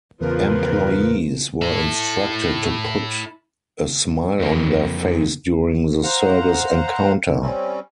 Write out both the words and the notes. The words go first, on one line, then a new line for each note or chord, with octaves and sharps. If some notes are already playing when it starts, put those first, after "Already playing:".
Employees were instructed to put a smile on their face during the service encounter.
E2 C#3 F3 A#4 B4
E4 A4
F2 A#3
C5 F5 F#5 A#5
G3 C4 C#4